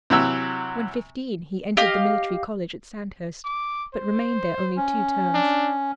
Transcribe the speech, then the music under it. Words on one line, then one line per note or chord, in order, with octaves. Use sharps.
When fifteen, he entered the Military College at Sandhurst, but remained there only two terms.
C3 E3 F#3 E6
G4 D#5 F5 F6
D6
C5
C#4
D4